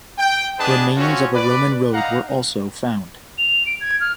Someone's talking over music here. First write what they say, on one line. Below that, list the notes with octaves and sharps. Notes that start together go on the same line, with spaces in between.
Remains of a Roman road were also found.
G5
B3 D4 G#4 B4 D#5 A5
C4 C#4 F4 F#4
B4 D5
D#4 F5 F#5 A#5
F7
D7
G#6
F6